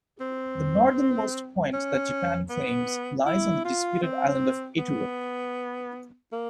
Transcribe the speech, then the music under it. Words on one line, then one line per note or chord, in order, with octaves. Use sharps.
The northernmost point that Japan claims lies on the disputed island of Iturup.
C4
C#4
B3
E4
F4
C4
B3
A#3